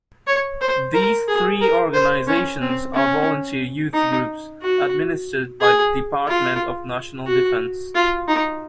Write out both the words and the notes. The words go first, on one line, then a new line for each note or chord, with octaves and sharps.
These three organizations are volunteer youth groups administered by the Department of National Defence.
C#5
C5
A#4
G#4
A#4
C5
C#4
C4
C#4
D#4
F#4
G#4
F4
F#4
F4
D#4